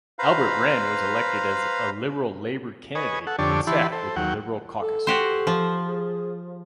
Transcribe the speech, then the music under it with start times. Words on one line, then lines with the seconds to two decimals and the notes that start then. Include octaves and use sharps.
Albert Wren was elected as a Liberal-Labour candidate and sat with the Liberal caucus.
0.19 B4 C5 F5 A#5 B5
2.95 B4 C#5 D#5 G#5
3.27 A4 F#5
3.39 F2 D3 D4 G4 C#5 A5
3.67 E3 E4 G4 A5 B5 C6
3.92 A4 C5
4.16 D#2 F#3 F#5 G5
4.82 A4
5.07 F#4 G4 C5
5.47 F3
5.87 G#4